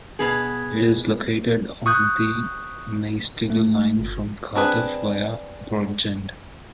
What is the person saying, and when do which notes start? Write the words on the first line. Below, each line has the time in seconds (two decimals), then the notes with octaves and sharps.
It is located on the Maesteg Line from Cardiff via Bridgend.
0.19 B2 B3 G#4
1.86 C#6 D#6 F#6 G6
3.50 A3
3.99 G1
4.55 C4 D4 G#4 B4